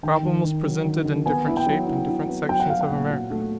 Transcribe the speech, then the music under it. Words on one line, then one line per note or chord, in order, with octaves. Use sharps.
The problem was presented in different shape in different sections of America.
D#3 G5
D#3
D#3
F#3
D#3
D#3
B3 G#5
E4
G5
F#3
E4
E4
B3
F#3 G5
F#5
F#3 F5
F#5
A#2
F#3
A3